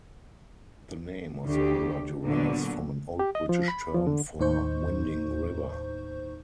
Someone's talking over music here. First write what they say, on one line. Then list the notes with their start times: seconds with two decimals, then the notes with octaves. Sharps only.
The name of the river derives from an old British term for "winding river".
1.44 D2 G4
2.23 A#2 D3 F#3 B3
3.19 G4
3.35 D#5
3.49 F3
3.68 B5
3.94 F3
4.07 D3
4.39 D#2 A2 D#4 C5 C#6 G6